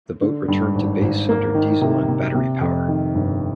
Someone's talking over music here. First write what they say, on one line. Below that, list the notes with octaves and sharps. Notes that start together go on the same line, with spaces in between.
The boat returned to base under diesel and battery power.
D3
G2
G#1
G#1
A#3
D#3
C3
C3
C3
F2
D#3
G1